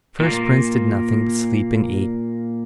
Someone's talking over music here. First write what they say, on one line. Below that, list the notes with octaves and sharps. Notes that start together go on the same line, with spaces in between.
At first Prince did nothing but sleep and eat.
A#2 A#3